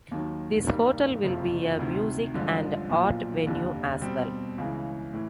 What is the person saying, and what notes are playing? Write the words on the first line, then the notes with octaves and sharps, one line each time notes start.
This hotel will be a music and art venue as well.
D#2 D#3 F#3
G2 D#3 G3 A#3
F#1 F2 C3 F3
D2 C3 D#3
A1 G2 D3 F3 G#3
B1 A#2 F3
F1 D#2 D3
B2 G3 C4
C#2 C#3 E3
A2 E3